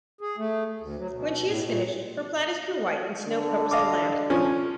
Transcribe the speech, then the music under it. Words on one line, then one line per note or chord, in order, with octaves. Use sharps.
When she is finished, her plaid is pure white and snow covers the land.
G#4
A3
D2
F#3
B2
A2
A#2
D3
D#5 F5 D6
F3 C#4